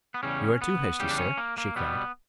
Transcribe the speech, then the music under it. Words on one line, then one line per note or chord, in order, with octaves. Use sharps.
"You are too hasty, sir," she cried.
B3
E2 C#3 G3 C#4
B3
E2 C#3 G3 G4
D4
C#4
A#3
A#3
B2 G3 B3